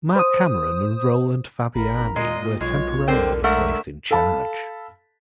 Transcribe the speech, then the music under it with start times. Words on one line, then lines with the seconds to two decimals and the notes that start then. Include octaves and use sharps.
Mark Cameron and Roland Fabiani were temporarily placed in charge.
0.16 C5 D#6
1.75 G#1 A#4 A#5 B5
2.16 A#2 G#3 F4 D#5
2.61 B1 G#3 F4 C#5
3.08 D3 G3 C4 A#4 C5 G5
3.44 D3 G#3 A3 A#4 E5 F#5
4.11 A4 F5 A5 B5